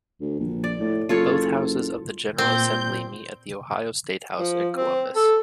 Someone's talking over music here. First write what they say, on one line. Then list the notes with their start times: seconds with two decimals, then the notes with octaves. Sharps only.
Both houses of the General Assembly meet at the Ohio Statehouse in Columbus.
0.21 D2
0.39 A#1
0.64 D5
0.80 A2
1.09 F#1 F4 A4 C#5
2.38 A#2 C4 G6
4.39 F3
4.76 C4
5.15 A4